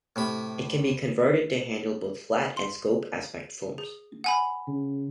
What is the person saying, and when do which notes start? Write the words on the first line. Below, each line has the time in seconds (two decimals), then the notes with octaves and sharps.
It can be converted to handle both Flat and Scope aspect films.
0.16 A2 C3 B5
2.57 C6
3.78 G#4
4.24 F#5 G#5 B5
4.67 C#3